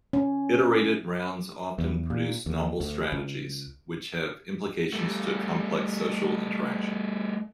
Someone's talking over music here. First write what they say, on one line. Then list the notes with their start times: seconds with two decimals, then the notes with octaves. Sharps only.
Iterated rounds often produce novel strategies, which have implications to complex social interaction.
0.13 C#4
1.78 E2
2.10 A#2
2.46 D#2
2.80 D2
3.12 C#2
4.93 G3 A3